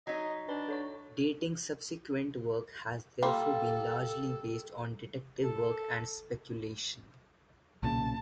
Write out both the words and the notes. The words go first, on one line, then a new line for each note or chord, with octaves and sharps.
Dating subsequent work has therefore been largely based on detective work and speculation.
F#3 D#4 D#5 A#5 G#6 B6
D4 B4 B5 G7
A4 C#5 C#6
G3 A#3 F4 A4
A4
B1 A#2 C#3 A5